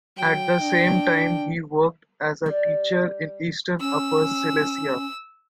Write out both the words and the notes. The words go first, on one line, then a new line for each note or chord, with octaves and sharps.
At the same time, he worked as a teacher in eastern Upper Silesia.
F#3 G5
D4
G3
C#4 E6